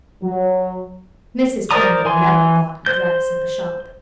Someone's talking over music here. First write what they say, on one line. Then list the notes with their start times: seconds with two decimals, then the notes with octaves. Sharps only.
Mrs. Turnbull never bought a dress at the shop.
0.23 F#3
1.71 A#4 C5 D5 A#5 D#6
2.05 E3 G#5 C6
2.86 C5 G6